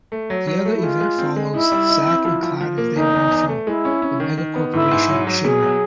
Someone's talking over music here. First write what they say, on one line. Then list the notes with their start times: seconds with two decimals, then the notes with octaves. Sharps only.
The other event follows Zack and Cloud as they run from the megacorporation Shinra.
0.12 A3
0.30 F#3
0.47 F#3
0.65 A3
0.74 E4
0.83 G#3 F4
1.01 G#3
1.18 C4
1.36 G#3
1.54 D#4 E4
1.72 G3
1.89 D#4
2.07 C4
2.25 F3
2.43 F3
2.61 F3
2.78 A#3
2.95 E2 D#4
3.14 E2
3.31 E2
3.49 A3
3.67 G#3 E4
3.85 C#4
4.02 C#4
4.20 D#3
4.38 D#3
4.56 B3
4.73 G#2 E4
4.91 G#2
5.09 F#3
5.27 F#3
5.44 B2 G#4
5.62 F#3